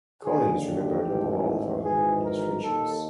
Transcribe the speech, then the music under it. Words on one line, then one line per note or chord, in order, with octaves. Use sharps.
Collin is remembered above all for her illustrations.
D#2 D3 G#4
G4
A1 G#2 D#3
G#1 G#2 E3 G#4
A#4
D#2 D#3 A4